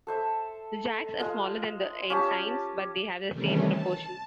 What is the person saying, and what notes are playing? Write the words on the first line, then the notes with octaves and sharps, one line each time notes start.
The jacks are smaller than the ensigns, but they have the same proportions.
A4 C5 E5
G#3 F4
C#4 F4 G4 A5
C3 D#3 E3 G3 A3 C#4
A5